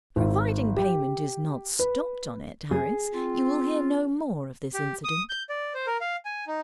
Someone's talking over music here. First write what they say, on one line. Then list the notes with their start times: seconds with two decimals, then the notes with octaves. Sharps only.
Providing payment is not stopped on it, Harris, you will hear no more of this incident.
0.16 G#1
0.77 G4
1.79 B4
2.71 G#4
3.13 C4 F4
4.74 G4
5.04 D#6
5.29 G6
5.49 D5
5.74 C5
5.87 A#4
6.01 F5
6.25 G#5
6.47 D#4